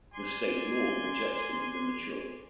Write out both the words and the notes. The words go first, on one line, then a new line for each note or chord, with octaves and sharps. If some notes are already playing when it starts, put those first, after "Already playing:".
The state law rejects them as immature.
D5 G#5 C6